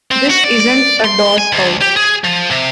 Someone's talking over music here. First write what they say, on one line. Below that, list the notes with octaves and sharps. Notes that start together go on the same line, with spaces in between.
This isn't a doss house.
C4
F#4
D5
D5
C6
G#5
D2
G4
G#4
F3
C3